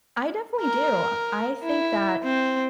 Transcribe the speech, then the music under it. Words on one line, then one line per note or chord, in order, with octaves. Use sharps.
I definitely do. I think that,
A#4
E4
C4